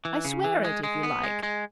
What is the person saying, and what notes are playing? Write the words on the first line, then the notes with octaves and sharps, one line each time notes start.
I swear it, if you like.
E3
C#3
E3
G#3
G#3
B3
G#3
G#3